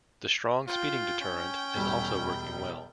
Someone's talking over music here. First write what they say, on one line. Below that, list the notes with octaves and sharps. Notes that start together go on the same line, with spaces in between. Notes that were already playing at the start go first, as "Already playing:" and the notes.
The strong speeding deterrent is also working well.
F4 G5
C#4
E1 G3